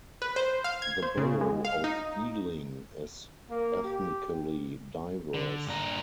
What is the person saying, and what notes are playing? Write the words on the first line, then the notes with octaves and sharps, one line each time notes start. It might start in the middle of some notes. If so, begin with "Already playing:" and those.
The borough of Ealing is ethnically diverse.
B4
C5
F5
G#6
C5
C#3
G#3
F5
D#4
A#3
G4
D3
G2 A#2 D4 A#5